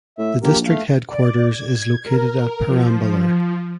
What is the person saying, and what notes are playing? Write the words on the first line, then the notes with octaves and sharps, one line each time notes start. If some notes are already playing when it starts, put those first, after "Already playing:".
The district headquarters is located at Perambalur.
A2 E5
A#1 A#3 G4 A#4
A3 F5
D5
G#6
A#4
F3